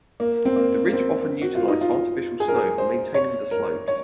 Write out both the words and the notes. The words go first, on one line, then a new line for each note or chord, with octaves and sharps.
The Ridge often utilize artificial snow for maintaining the slopes.
A#3
C4
A#3
A#3
C4
F#4
F4
D#4
F4
G#4
A#4
G#4
C5
C#5
A#4
C#5